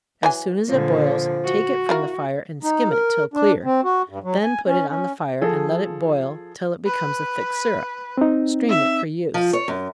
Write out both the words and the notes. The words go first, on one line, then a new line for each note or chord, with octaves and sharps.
As soon as it boils, take it from the fire, and skim it till clear--then put it on the fire, and let it boil till it becomes a thick syrup--strain it for use.
E3 F#3 G#5
A#2 D3 F3
F#4
E4 F4 A#4
D#4
A#4
D4
C4
F#4
G2
F#3
G#5
C#4
C#4
F3 G#4 A4
B4
C4 D#4
E5
F3
C#5
F#2